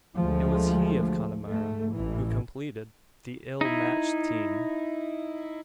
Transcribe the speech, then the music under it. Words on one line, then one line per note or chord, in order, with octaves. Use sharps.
It was he of Connemara who completed the ill-matched team.
D2 F3 G#3 A3
G#2 A3
A1 E3
D#4 E4